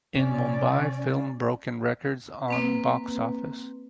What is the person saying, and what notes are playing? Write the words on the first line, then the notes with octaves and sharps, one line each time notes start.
In Mumbai film broken records on box office.
C3 C#4 D5
A#3 C4 B4